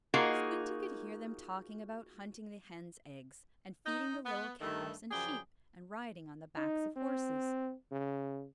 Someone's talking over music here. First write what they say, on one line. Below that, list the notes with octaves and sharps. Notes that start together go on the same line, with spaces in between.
Squinty could hear them talking about hunting the hens' eggs, and feeding the little calves and sheep, and riding on the backs of horses.
A#3 D#4 F4 F#4 G#4 A#4
D#4
B3
G2 D#3 A3
F#2 C#3 F3 G#4 D5 G5
D#4
C4
C#3